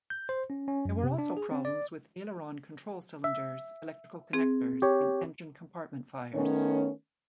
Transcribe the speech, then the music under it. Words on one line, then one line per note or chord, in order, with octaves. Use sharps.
There were also problems with aileron control cylinders, electrical connectors, and engine compartment fires.
G6
C5
C#4
C#4
F#2
C3
D4
G#4
C4
D5
E5
C4 G#4
G4 C#5
D#3 A3 B3 C#4